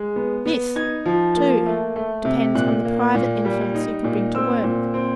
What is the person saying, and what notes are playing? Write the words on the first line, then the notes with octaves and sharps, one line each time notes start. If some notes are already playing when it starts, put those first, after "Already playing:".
This, too, depends on the private influence you can bring to work.
Already playing: G#3
B3
B3
D#4 G#6
F3
A#3
A3
A3
C3
A#2 F#6
A#3
A#2
G3
D#4
A#2
C4 E6
A#2
C4